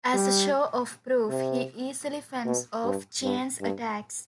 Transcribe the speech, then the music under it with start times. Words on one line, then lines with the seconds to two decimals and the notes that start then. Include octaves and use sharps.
As a show of 'proof', he easily fends off Chien's attacks.
0.14 G3
1.29 C3
2.45 B2
2.84 G2
3.23 G2
3.61 G2